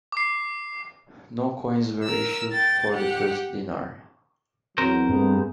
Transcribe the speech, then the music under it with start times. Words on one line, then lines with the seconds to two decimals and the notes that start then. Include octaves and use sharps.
No coins were issued for the first denar.
0.12 D6 C7
2.04 A#4 E6
2.52 G5 A6
2.91 G4 F#5
4.78 E2 F#3 C4 A#4 C5
5.09 G2 A3 B3 G#4